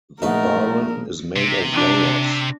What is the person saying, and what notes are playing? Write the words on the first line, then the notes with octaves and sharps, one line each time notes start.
The baren is made of layers.
A#1 G#3 A3 D#4 A#4 B4 D#5 F#5
C3
D4